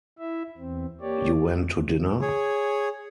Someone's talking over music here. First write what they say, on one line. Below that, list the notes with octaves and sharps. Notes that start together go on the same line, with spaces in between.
You went to dinner?
E4 E5
E2 C4
A#3 G4 C#5 D5
G#4 C#5